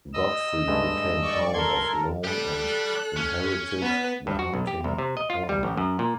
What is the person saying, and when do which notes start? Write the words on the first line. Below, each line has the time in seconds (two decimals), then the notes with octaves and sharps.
Godfrey became count of Lohn and inherited the hunting horn.
0.14 D#5 E6
0.68 G2 G#3 A3
1.22 D5 C#6
1.53 A4 A#4 C6 G#6
2.24 G4 A4 D5 F#6
3.17 C#4
3.82 B3 B4
4.27 G2
4.39 F#4
4.54 B1
4.67 G4
4.84 C2
4.98 C3
5.17 D#5
5.30 F4
5.49 G3
5.63 A1
5.77 F#2
5.99 A#2